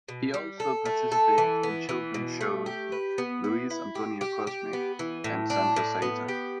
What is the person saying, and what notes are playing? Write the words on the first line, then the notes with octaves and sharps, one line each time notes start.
He also participated in children's shows with "Luis Antonio Cosme" and Sandra Zaiter.
B2
G3
A4
A3
A4
E3
B3
E3
B2
A3
G4
B4
B3
E4
E4
G4
G4
G4
B3
E3
A2
D4
A2
B3
G4